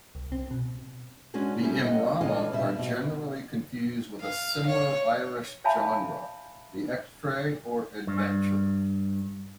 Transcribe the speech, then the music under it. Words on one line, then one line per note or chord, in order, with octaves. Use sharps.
The immrama are generally confused with a similar Irish genre, the "echtrae" or "adventure".
C2
C4
B2
G#3 C#4 D4 F#4 G#4
G3 A3 C#4 E4 G4 G#4
D#5 F#5
C#3 E3 G#3 F4 A4 D#5
B2 G3 E5
B2 C4
F5
C#5
C#5 E5 F5 G#5 A5 B5
G2